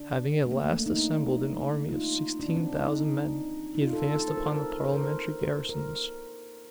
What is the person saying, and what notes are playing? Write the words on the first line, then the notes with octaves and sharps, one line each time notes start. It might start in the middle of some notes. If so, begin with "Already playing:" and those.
Having at last assembled an army of sixteen thousand men, he advanced upon the parliamentary garrisons.
Already playing: D4
A3
A#3
A3
A#3
D#4
D4
F4
D#4
D4
C4
D4
D#4
D#4
F4
A4
A4
A4
C5
A#4
A4
A#4
C5
A#4
C5
A#4